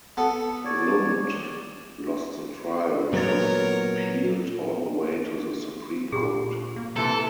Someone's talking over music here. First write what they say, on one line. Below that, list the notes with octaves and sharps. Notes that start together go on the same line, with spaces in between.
Lund lost the trial which was appealed all the way to the Supreme Court.
B3 A4
C#5 D5
A#2 F#3 B3 A#4 C#5
A#2 G4 G#4
A#3
C3 E3 A4 A5